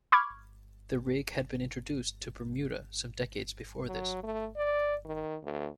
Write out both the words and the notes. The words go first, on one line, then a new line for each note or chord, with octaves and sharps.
The rig had been introduced to Bermuda some decades before this.
B5 C#6 D6 F6 G#6
F#3
A3
D5
D#3
D2